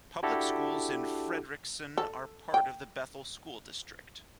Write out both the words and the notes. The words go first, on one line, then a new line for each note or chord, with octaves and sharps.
Public schools in Frederickson are part of the Bethel School District.
D4 E4 F#4 G4 A4
A4
G5